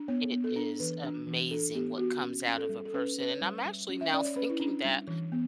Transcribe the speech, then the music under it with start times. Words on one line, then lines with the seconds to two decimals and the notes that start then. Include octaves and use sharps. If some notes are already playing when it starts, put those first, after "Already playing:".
it is amazing what comes out of a person. And I'm actually now thinking that
Already playing: D4
0.08 B3 C#5
0.32 B3
0.44 A4
0.56 D4
0.79 E3 B4
1.04 D4
1.27 E3
1.51 D4 A4
1.74 B3 G4
1.98 B3 F#4
2.22 C#4
2.46 C#4
2.58 A4
2.69 G3
2.85 A4
2.94 C#4 B4
3.18 C#4 B4
3.30 C#5
3.41 G3
3.66 G3
3.89 C#4
4.01 E5
4.13 C#4 D5
4.25 C#5
4.36 C#4 B4
4.50 E4
4.60 C#4 D4
4.85 G3
5.08 E3
5.32 B3